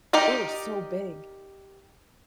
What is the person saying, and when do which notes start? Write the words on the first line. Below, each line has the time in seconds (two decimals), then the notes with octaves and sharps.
They were so big.
0.13 D#4 G4 A#4 D5 D#5